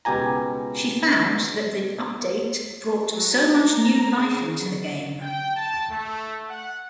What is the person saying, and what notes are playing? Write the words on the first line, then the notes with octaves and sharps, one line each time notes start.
She found that the update brought "so much new life into the game".
C#2 B2 G4 G#5 A#5
F#3
A#5
A#5
C#3
F#3
G5
A5
A3
F#5